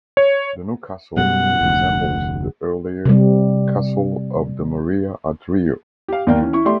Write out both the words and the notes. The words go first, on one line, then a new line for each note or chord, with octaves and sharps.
The new castle resembles the earlier Castle of the Morea at Rio.
C#5
F#2 B2 G3 F#5
F1 D2
C3 G3
G4 F5
D#2 A#3 A#4 D5 F5 G5
E3 C#4
E4 C#6
A3 G4 D5 E5 C6